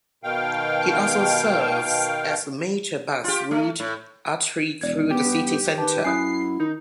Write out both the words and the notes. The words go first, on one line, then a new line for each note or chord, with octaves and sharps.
It also serves as a major bus route artery through the city centre.
B2 D#3 F5 G5
F4 G4
A3
A2
E1 D5 G#6
B3 G4
G2
D#3 B4 A5
F#2 E4 G#5 D#6 F#6 C7
D#3 D#4